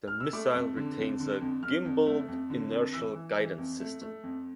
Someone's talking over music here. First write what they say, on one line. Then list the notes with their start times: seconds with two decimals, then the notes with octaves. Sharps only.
The missile retains a gimballed inertial guidance system.
0.08 F6
0.20 E6
0.33 A3 D6
0.55 F2
0.77 D3
0.98 F2
1.20 D3
1.41 F2
1.63 F2 F6
1.85 F2
2.06 A3
2.28 F2
2.50 D3
2.71 F2
2.93 E3 E6
3.15 E3
3.37 E3
3.58 F2
3.80 A3
4.02 A3
4.23 F2